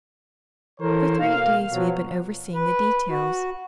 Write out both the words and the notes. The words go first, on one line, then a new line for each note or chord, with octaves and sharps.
For three days we had been overseeing the details.
E3 A4 A#4 C5 C#5
B2 A#3 F5
B2 F3 F#3
B4
F#4